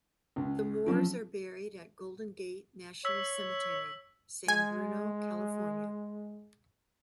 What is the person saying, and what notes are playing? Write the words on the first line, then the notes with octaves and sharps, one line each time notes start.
The Moores are buried at Golden Gate National Cemetery, San Bruno, California.
C#2
C#3 F3 F#3 C4 F4
C#5 E6 B6
G#3 G#5